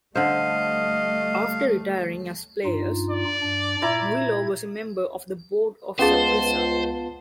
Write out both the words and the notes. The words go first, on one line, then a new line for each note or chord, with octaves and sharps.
After retiring as a players, Murillo was member of the board of Saprissa.
D3 G3 A3 C5 D#5 F5
G2 D#4 F4
D5
G2 D4
A#2 E4 A#5 G#6
C#2 B3 C#4 F4 G#4 C5 A5